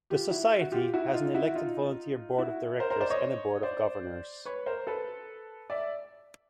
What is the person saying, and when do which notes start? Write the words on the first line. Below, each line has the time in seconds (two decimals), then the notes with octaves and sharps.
The society has an elected volunteer Board of Directors and a Board of Governors.
0.10 F4 G4
0.30 E4 F#4
0.61 F#4
0.72 F4 G4
0.93 E4 F#4
1.14 D#4 F4
1.34 E4 F#4
1.55 D#4 F4
2.38 E4 F#4
2.79 A#4 C5
2.90 A#4 C5
3.00 C5 D5
3.10 C#5 D#5
3.63 C5 D5
4.45 B4 C#5
4.66 A#4 C5
4.87 A4 B4
5.70 D5 E5